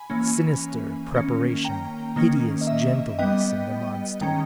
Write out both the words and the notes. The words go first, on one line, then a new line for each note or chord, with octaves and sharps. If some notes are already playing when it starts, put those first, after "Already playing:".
Sinister preparation, hideous gentleness in the monster!
Already playing: G#5 B5
E3 A#3 C#4
D#3 A#3 C#4
G5 A#5
D#3 A#3 C#4
D#5
E5
G3 B3 D#5 G5
D#3 G#3 C#4 G5 A#5